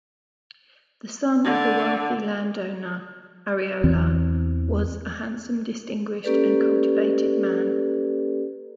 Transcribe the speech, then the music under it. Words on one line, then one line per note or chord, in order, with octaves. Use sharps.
The son of a wealthy landowner, Arriola was a handsome, distinguished and cultivated man.
D3
E2 E3 C4
A#3 C#4 G4 A4 B4 D5